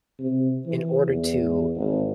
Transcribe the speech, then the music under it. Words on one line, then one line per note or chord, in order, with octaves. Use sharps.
in order to
C3
E3
E2
G#1